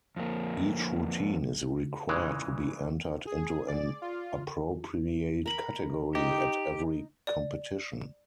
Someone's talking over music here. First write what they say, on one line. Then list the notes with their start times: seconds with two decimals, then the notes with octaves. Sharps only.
Each routine is required to be entered into an appropriate category at every competition.
0.16 F2 A#3
2.09 A#2 C#3 E3 G#3
3.27 G#4
3.68 D5
4.02 F4
5.46 A#4 B5
6.15 D#4 G4
7.27 D5